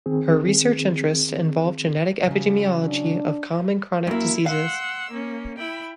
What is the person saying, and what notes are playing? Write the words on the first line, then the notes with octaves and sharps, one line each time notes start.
Her research interests involve genetic epidemiology of common chronic diseases.
D#3 C4 G#4
C#3 F#3
D4
F#2 A#3 E4
F5 F#5 C6 E6
A#3 C#4
E4 G5 B5